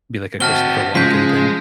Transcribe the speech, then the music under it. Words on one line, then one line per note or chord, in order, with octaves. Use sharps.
be like a Christopher Walken thing.
C4 F#4 A5 F6 G7
C#3 F3 G#3 G6 B6